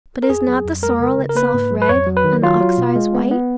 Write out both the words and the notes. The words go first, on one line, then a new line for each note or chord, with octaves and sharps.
But is not the sorrel itself red, and the oxeyes white?
A#4
F2 G#4
F#3
F2
G#3 A#4
C#3
C#3
A#4
A#3 B4
G#2
F#3
B4
F2 C#5
F#3
B4
D#3
F#3 F4
F#3
B2
G#3
B3
B3